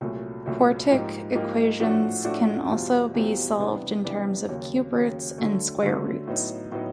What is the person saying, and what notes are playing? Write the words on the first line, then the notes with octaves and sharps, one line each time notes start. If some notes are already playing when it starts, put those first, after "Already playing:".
Quartic equations can also be solved in terms of cube roots and square roots.
C2 A#2 F#3 A3
C2 A#2 F#3 A3
G#2 F3 A#3 D#4 G4
G#2 F3 A#3 D#4 G4
A2 F3 A3 D4 F#4
A2 F3 A3 D4 F#4
E2 B2 G3 C4 F4
E2 B2 G3 C4 F4
C3 E3 G3 B3 D4
C3 E3 G3 B3 D4
D#2 C#3 F#3
D#2 C#3 F#3
D3 F#3 A3
D3 F#3 A3
A2 F#3 B3 D#4
A2 F#3 B3 D#4